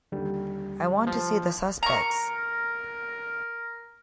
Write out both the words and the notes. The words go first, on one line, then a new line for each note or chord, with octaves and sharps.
I want to see the suspects.
D#2 D3 G3
F3
A#4 A#5 C#6